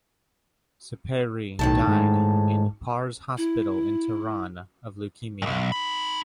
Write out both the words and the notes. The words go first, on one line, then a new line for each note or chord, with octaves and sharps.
Sepehri died in Pars hospital in Tehran of leukemia.
B1 A2 D#3 A5
G#2
E4
B1 G2
D#4 B5